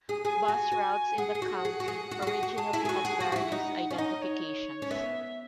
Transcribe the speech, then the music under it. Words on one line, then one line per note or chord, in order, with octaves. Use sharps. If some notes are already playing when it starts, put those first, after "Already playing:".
Bus routes in the county originally had various identifications.
G#4
G#4 G#5
F#4
F#4
G#4 F#5
G#4
F#4
G#4
F#4
G#4
F#4
F#4
G#4
F#4
G#4 A5
E4
G#4 G#5
F#4
G#4 F#5
F#4
F#4
E4
D#4
C#4
D#4 D#5
C#5
C#4
B3 E5